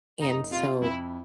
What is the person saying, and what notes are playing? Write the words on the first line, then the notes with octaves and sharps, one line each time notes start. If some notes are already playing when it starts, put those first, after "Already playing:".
And so,
F#1 D#4
C3 F4
F2 E4